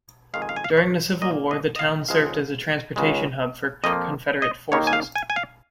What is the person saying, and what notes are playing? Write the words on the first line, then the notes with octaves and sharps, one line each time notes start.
During the Civil War the town served as a transportation hub for Confederate forces.
F2 D#3 G#3 F5
G#5
F5
G#5
F5
C#5
A#2 A#3 D#5
D#5
D#5
F5
C#2 C#3 F3 G#3 F5
C#2 C#3 G#3
F2 F3 A#3 D#5
D#5
D#2 D#3 A#3 C#5
G#5
F5
G#5
G#5
F5